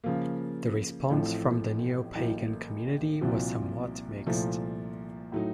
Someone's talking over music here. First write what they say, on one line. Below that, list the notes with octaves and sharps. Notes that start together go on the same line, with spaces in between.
The response from the Neopagan community was somewhat mixed.
C#3 F3 A#3
A1 A2 F3 A3 C4
A1 A2 F#3 A#3
C2 A#2 F3 C4 F#4
C2 A#2 F3 A3
A2 F#3 A3 D#4